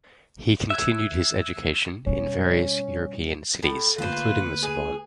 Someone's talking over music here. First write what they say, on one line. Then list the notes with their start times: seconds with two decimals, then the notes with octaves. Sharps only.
He continued his education in various European cities, including the Sorbonne.
0.70 E5 E6 F#6 G#6
2.07 B2 G3 C#4
3.63 A2
3.98 D2 A3 A#3 F4 B4 C5
4.63 G#4